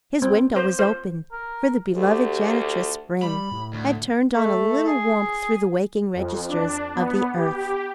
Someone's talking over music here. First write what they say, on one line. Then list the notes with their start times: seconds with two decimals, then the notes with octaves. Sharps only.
His window was open, for the beloved janitress Spring had turned on a little warmth through the waking registers of the earth.
0.22 C4
0.56 C5
0.79 C5
1.32 A#4
1.95 D2 G4
3.23 G3 B5
3.52 A2
3.73 D2
4.33 A3
4.87 G#4
6.14 F2
6.49 D4
6.95 B3
7.36 G4